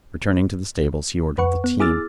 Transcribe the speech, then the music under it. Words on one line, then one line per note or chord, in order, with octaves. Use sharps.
Returning to the stables, he ordered the team.
F2 B4 F#5 C#6
B3
E4 G#4 D6 E6 F6 A6